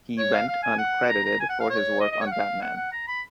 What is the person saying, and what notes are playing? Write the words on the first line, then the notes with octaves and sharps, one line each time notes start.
He went uncredited for his work on "Batman".
C#5
F5
F5
G#5
F#5
A#5
A#5
G#5
F#5
F5
C#5
D#5
D#5
C#5
F#5
F5
F#5
F#5
A#5
B5